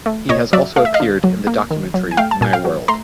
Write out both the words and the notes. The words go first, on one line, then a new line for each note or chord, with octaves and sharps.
He has also appeared in the documentary "My World".
A3
A#2 C#5 D#5
F#3 D5 E5
A3 F5
E5
D#5 F5
D3
F#3
A#3
D#3
F#3
G#5
A3 F5 G5
A5
A#2 G#5
F5 G5
F#3
A3 A#5 C6